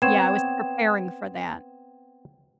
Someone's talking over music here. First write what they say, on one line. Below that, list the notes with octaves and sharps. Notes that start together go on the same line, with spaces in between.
yeah, I was preparing for that.
B3 C4 C#5 G5 G#6 E7